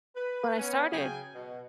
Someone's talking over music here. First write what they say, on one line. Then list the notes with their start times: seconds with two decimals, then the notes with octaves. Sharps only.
but I started
0.16 B4
0.58 B3 C#4
0.92 C#3 F#3 G#4 G5 G#5
1.35 B2